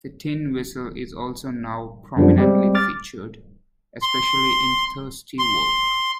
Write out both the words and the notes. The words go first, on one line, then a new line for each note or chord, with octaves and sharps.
The tin whistle is also now prominently featured, especially in Thirsty Work.
F#2 D3 F3 G3
G3 G#3 C4 G4
D6 F6 A6
C6
C6